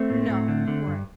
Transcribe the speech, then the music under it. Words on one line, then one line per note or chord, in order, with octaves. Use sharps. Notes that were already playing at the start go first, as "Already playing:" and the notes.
No, right.
Already playing: A3 C4
A2
A2
D3
D3
G2